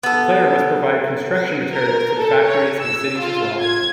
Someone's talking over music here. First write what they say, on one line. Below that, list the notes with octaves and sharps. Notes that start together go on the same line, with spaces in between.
The player must provide construction materials to the factories and cities as well.
B3 A4
A#4
A4
C#5
E6
F4
G#6